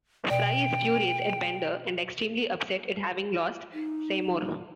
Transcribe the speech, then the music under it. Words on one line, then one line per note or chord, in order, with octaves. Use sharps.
Fry is furious at Bender and extremely upset at having lost Seymour.
B2 D5 G5
D#4